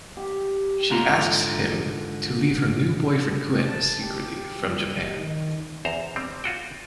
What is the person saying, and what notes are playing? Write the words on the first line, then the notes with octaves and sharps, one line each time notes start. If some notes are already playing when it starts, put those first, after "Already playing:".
She asks him to leave her new boyfriend Kuen secretly from Japan.
G4
G#2 D3 F4 A#5 C6
A5
G4
G3
D#3
E2 C5 A#5
G3 C4
F4 F#4 G5